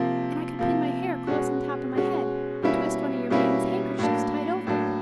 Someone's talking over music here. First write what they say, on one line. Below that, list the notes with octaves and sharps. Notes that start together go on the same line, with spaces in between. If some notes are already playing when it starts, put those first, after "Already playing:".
And I could pin my hair close on top of my head and twist one of your mammy's handkerchiefs tight over it.
Already playing: C3 F3 A#3
C3 F3 A#3
B2 G#3 C#4 F#4
B2 G#3 C#4 F#4
B2 G3 A#3 C#4 E4
B2 G3 A#3 C#4 E4
A2 F#3 A#3 D4
A2 F#3 A#3 D4